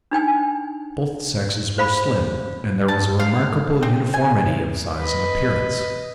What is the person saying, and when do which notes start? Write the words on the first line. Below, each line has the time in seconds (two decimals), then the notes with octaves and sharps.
Both sexes were slim, and there was a remarkable uniformity of size and appearance.
0.11 D4 D#4 G5 G#5
1.78 C5 F5 B5
2.88 A5
3.20 F5
3.83 C4
4.14 G#5
4.99 B4 D#5